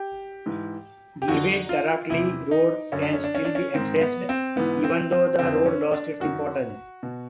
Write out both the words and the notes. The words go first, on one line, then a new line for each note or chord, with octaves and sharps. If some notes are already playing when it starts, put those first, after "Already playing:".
Geyve-Tarakli road can still be accessed, even though the road lost its importance.
Already playing: G4
G#2 E3
G4
F2 D3 F#4
F4
E2 C3 E3 E4
D#4
F#2 D3 C#4
D4
C#4
D4
C#4
D4
C#4
G#2 D#3 C4
B3
C4
G#2 E3 B3
C4
C4
F2 D3 C4
C#4
D4
F#2 D#3 F#4
B2